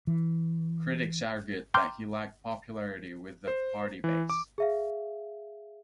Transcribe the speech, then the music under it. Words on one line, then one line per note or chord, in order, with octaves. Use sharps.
Critics argued that he lacked popularity with the party base.
E3
G5 A#5 C6 D6 F6 G6
C5
E3
D6
G#4 E5 F5